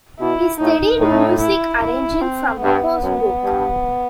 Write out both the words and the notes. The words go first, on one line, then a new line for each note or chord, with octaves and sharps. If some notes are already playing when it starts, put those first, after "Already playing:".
He studied music arranging from a course book.
B2 E4
A2 D#4
A2 D#4
E4
E4
C4
G2 B3
F#2
G2